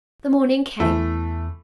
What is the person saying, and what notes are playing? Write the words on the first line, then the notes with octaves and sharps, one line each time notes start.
The morning came.
E2 E3 A3